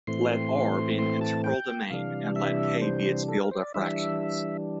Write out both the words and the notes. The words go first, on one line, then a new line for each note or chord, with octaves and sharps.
Let "R" be an integral domain, and let "K" be its field of fractions.
A2 E3 A3 C4 C6
C6
A5
G5
C3 E3 G3 D4 F5
E5
C5
A4
A#4
C5
D5
E3 G3 D4 E5